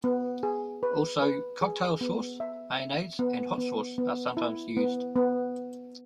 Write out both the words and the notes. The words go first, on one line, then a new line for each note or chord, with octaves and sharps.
Also, Cocktail sauce, mayonnaise and hot sauce are sometimes used.
B3
G#4
B4
B4
G#4
B3
E5
E5
B3
B3
B3
E4
B3
B3